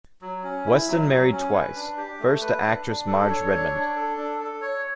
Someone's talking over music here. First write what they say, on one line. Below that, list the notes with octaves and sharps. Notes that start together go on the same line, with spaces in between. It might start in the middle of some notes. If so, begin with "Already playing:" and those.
Weston married twice, first to actress Marge Redmond.
F#3
C#4
E4
F#3
F#3
C#4
B4
D4
G4
A3
B4
D4
D4
A4
C#5
D4
D4
A4
D4
A4
C#5